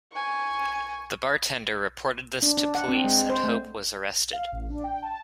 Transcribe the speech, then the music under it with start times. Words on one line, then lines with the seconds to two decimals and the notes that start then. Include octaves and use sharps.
The bartender reported this to police and Hope was arrested.
0.12 G#5 C#6
2.42 D4
2.57 D4
2.75 F#5
2.88 C4
3.04 G#3
3.29 C5
3.44 A3
4.33 F5
4.52 A1
4.70 D4
4.84 G5
5.02 A5